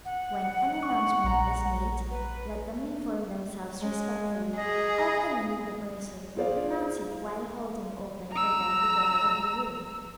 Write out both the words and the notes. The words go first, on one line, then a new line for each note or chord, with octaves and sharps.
When an announcement is made, let them inform themselves respectfully of the name of the person, and pronounce it while holding open for them the door of your room.
F#5
C#6
A#1 A#5
B4
G#3
G#4 D#5
F4 G#4 C5 D5 F5
A#5 E6